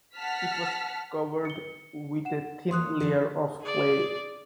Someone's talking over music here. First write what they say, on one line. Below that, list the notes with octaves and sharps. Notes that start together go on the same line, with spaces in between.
It was covered with a thin layer of clay.
F#5 A5 F6 B6
C#7 G7
F#5 E7
E3 A#3 C#5 C6 D#6 F#6
E3 A4 D5
G#4 D5